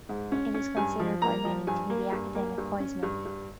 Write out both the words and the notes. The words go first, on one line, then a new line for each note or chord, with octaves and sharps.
It is considered by many to be the Academic Heisman.
G#2
C#4
C#4
G2 G#5
F3
A#3 A#5
F3
G2 G#5
A#3
G2
A#3
G2
C#4
G2
G2